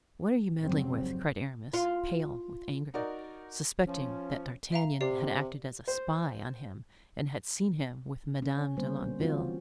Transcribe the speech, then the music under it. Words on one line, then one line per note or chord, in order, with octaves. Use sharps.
"What are you meddling with?" cried Aramis, pale with anger, suspecting that D'Artagnan had acted as a spy on him and had seen him with Madame de Longueville.
F2 G#2 C#3 F#3 G3 C4
F4
D#4 F#4 A#4 D5
F3 C#4
E5 F5 A#5
C3 G4 D5 C7
C5
C#4
D3 G3 A#3 B3 C5
E3 C4 C#4 F4 F#4